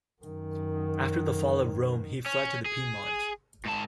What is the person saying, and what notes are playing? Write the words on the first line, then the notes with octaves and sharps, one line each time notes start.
After the fall of Rome he fled to Piedmont.
F#2 D#3
C#4
G#4
G#2 A5